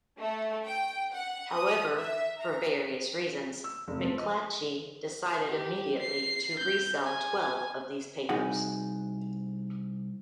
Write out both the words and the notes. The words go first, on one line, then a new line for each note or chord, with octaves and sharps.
However, for various reasons, McClatchy decided immediately to resell twelve of these papers.
A3
G5
F#5
D#6
E5
A#5
E6
F1
F3
D#5
G4
C7
G6
G#5
C2 D#4 F#4 G#4 F#5